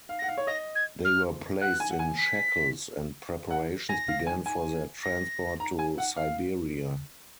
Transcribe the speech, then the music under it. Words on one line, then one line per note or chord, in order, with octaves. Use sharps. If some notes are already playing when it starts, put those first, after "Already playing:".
They were placed in shackles, and preparations began for their transport to Siberia.
F5
F#5 A#6
F5
C#5
D#5 A#6
G#6
F6
F#5 F#6
G#5
F#5
G#5
B6
F#5
G#5 A#6
F5
G#5
G#5
A#6
A#5
G#5
F#5
F5